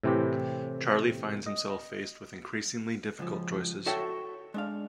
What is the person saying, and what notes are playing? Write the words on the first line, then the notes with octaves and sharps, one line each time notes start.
Charley finds himself faced with increasingly difficult choices.
A2 C3 E3 C4 G4
D#5
C#2 F3
F#4 A4 C#5 E5 G5
G#3 D4 F5